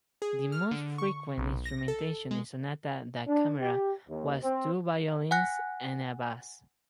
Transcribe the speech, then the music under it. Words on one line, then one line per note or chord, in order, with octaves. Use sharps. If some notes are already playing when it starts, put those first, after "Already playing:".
The most frequent instrumentation in sonata da camera was two violins and a bass.
G#4
F6
D3
C#6
B1
A#6
A4
G#3
D4
G4
D#2
C4
F#5 G#5 F#6 A#6